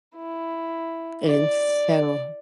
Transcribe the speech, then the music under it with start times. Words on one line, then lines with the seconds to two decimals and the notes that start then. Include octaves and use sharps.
and so
0.16 E4
1.27 D5